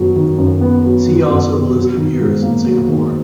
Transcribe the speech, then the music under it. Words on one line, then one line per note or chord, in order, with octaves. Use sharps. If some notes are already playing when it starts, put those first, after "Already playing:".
See also the list of years in Singapore.
Already playing: F#2 D#3 F#3 B3
D#3
F#2
B3
F#3
D#3
F#2
B3
F#3
D#3
G#2
A#3
F#3
D#3